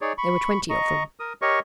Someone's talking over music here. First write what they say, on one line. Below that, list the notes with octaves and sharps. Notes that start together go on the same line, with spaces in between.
There were twenty of them.
D#4 G#4 C#5 D5
B5 C#6
D#5 A#5 C#6
A#4 D#6
G4 A#4 C#5 D#5 C#6